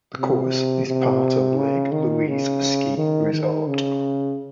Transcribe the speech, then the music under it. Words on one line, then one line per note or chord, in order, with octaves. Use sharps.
The course is part of Lake Louise Ski Resort.
C3
C3
C#3
D#3
C#3
D#3
D#3
C#3